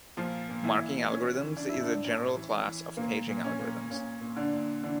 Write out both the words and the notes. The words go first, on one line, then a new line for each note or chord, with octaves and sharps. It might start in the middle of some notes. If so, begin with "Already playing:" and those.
Marking algorithms is a general class of paging algorithms.
A#2 F3 F4
A#2
E3 E4
A#2
E3 C#4
E3
D4
A2 E4
D3 D4
A2 C#4
E3
E3
A#2 A#3
A#2
C#4
A#2
A#2 C#4
A#2
D3 D4
A#2
D3 E3 D4